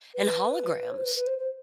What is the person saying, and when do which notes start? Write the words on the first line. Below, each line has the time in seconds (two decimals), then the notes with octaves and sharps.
And holograms.
0.14 B4
0.91 C#5
0.97 C5
1.04 B4
1.16 B4
1.27 C5
1.39 C5